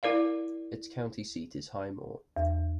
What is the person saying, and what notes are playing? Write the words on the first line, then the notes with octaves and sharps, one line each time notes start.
Its county seat is Highmore.
E4 A#4 D5 F5
E2